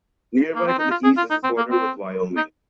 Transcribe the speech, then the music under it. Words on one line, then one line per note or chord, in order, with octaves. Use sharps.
Nearby to the east is the border with Wyoming.
A#3
C4
D#4
F4
G#4
F4
D#4
C4
A#3
C4
D#4